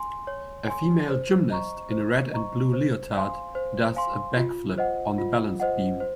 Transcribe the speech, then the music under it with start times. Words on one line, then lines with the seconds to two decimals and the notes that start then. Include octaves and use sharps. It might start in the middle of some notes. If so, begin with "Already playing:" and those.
A female gymnast in a red and blue leotard does a back flip on the balance beam.
Already playing: G#5 C6
0.27 C#5
0.68 G#5 C6
1.09 C5
1.50 D#5 A#5 C#6
1.92 C5
2.32 D#5 A#5 C#6
2.73 C5
3.14 F5 G#5 C6
3.55 C5
3.96 F5 G#5 C6
4.37 F4
4.78 C5 D#5 F#5
5.18 F4
5.60 C5 D#5 F#5
6.00 C5